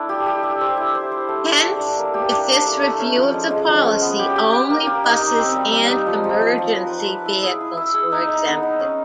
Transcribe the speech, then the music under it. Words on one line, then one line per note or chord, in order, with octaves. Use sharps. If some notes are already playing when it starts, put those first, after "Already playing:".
Hence, with this review of the policy, only buses and emergency vehicles were exempted.
Already playing: A3 D4 E4
G4
G4
E5
C5
E4
C5
C5
A3
A3
D4
D4
A#3
G4
D4
D4
A3
A3
C#4
F3
G#3
G#3
F3
C#4
B3
G4
G4
G4
A#3
A#3
D#4
D#4
C4
G3
G3
D#4
F3
F3
F3
F3
B4
B4
B4
E4
G#4
E4
E5
G#4
D#4
D#4
B3
D#4
C#4